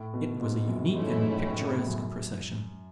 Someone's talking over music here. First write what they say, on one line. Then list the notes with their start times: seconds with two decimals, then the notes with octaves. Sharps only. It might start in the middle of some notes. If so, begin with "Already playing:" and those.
It was a unique and picturesque procession.
Already playing: A2
0.14 B2
0.40 G#2
0.67 F#2
0.94 G#2 E3 A3 C#4 E4
1.07 F#2
1.20 G#2
1.34 A2
1.47 A2
1.61 C#3
1.69 B2
1.73 A2
1.87 F#2